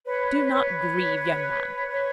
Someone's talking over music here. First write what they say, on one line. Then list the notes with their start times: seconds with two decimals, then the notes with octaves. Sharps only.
'Do not grieve, young man!
0.06 B4 C#5
0.51 B4 C#5
1.88 B4 C#5